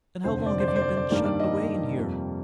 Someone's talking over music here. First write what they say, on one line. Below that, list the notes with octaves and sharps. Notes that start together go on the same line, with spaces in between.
"And how long have you been shut away in here?"
F1 D#2 D3 C5
D5
C5
D5
C5
D5
D5
G2 D#3 G3 A#3 D5
D5
D#5
F2 C3 G3 A#3